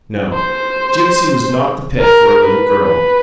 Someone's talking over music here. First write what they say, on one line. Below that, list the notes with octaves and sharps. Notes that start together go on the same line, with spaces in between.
No; Gipsy was not the pet for a little girl.
C5
A#4
B4
B4